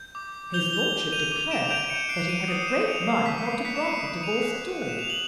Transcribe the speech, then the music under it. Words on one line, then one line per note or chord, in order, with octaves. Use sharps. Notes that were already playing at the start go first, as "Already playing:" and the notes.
His lordship declared that he had a great mind not to grant the Divorce at all.
Already playing: G6
D6
G6 F7 G7
F7 G7
G6
D#7 F7
D6 D#7 F7
D7 E7
F7
G6 D7 E7
C#7 D#7
F#6 C7 D7
C#7 D#7
D#6 C#7 D#7
D#7
D7 E7
D#6 D#7 F7
C7
D#6 B6
B6
C7
F#6 B6 C#7
E7
C#7 D#7
D#6
D#7 F7
F#6
F#6
E7
F7
F#7